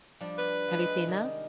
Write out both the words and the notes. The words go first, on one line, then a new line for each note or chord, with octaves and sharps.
Have you seen those?
F3 G3 D4
B4
F3 G3 G#3
C3 D#3